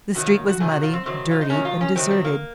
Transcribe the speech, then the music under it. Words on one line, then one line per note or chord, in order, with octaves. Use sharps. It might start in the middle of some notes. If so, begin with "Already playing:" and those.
The street was muddy, dirty, and deserted.
C3 D#3 F#3 F#4
F4
F#4
C3 D#3 F#3 G#4
F#4
F4
C4
C3 D#3 F#3 C4
F4
D#4
C3 D#3 F#3 C#4
F4
C#4
C3 D#3 F#3 C4
C4
A#3